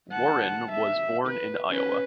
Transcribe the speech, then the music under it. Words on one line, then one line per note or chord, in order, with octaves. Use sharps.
Warren was born in Iowa.
F#5 A5
E5
B4
C#4 B4